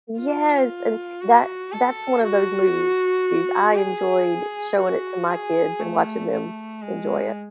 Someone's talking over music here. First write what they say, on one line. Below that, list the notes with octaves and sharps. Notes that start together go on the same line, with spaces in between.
yes, and that that's one of those movies I enjoyed showing it to my kids and watching them enjoy it.
F4
F#4
A4
F#4
G#4
F#4
G#4
A3
A3
G#3